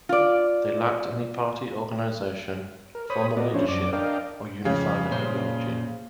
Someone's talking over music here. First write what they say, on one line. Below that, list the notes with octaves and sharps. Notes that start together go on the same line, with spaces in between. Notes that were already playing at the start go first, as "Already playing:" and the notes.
They lacked any party organisation, formal leadership, or unified ideology.
F4 D5
A#4
C5 C#5 B5 D#6
A#3 B3 F#4 D5 D#5
F3 C#4 D4 E4 C5 C#5
F#2 D5 D6
D4 A#4 D5 D#5 F5 G5
F2 C#3
A#2 C5